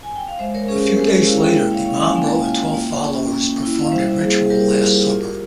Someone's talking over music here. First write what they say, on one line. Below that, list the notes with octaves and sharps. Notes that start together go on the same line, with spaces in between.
A few days later, Di Mambro and twelve followers performed a ritual Last Supper.
G#5
G5
F5
G#3 C5 E5
A#4 C#5
C#4 G#4 C5
G4 A#4
G#3 G4 A#4
A#4 C#5
E4 C#5 F5
E5 G5
A#3 E5 G5
C#5 F5
C#4 C#5 F5
F5 G#5
A#3 E5 G5
F4
A#3
C#4
A#3
E4
F5
G3 C5 E5
C5 E5
A#3 G#4 C5
G#4
G3 G4 A#4
F4
F4